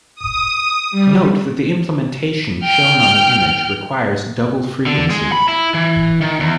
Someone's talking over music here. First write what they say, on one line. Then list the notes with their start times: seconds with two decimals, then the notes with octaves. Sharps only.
Note that the implementation shown on the image requires double frequency.
0.15 D#6
0.91 G3
2.64 G5 F6
4.86 D3
5.11 G#3
5.32 B5
5.48 E4
5.74 E3
6.21 D#3
6.40 E2